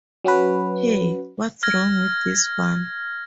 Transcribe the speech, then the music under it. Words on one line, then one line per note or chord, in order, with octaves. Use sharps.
Hey, What's Wrong with This One?
F#3 C#4 F#4 B4
F6 G#6 A#6